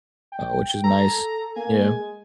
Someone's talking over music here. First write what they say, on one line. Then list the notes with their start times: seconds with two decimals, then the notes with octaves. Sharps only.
uh, which is nice. Yeah,
0.32 G5
0.84 A4 A#5
1.56 A#3 G#5
1.82 G#3